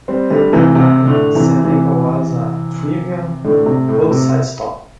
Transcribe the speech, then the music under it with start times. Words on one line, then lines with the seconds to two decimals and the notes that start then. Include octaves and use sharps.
At that time Seneca was a thriving roadside stop.
0.08 G3 C4
0.30 D3 G3
0.53 C3 E3
0.75 C3
1.06 A2 D3
1.35 C3 E3
1.64 C3 E3
3.44 A2 D3
3.66 C3
3.88 A2
4.11 C3